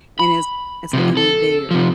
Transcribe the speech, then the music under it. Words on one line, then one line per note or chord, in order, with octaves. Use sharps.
and it's it's like I'm there
B5
C3 F3
A4
C3 F3